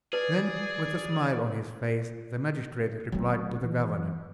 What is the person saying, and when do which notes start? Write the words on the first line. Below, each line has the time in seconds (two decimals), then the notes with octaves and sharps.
Then with a smile on his face the magistrate replied to the governor.
0.13 G#4 B4 D5
3.12 D#3 F#3 G3 A3 C4
3.64 E3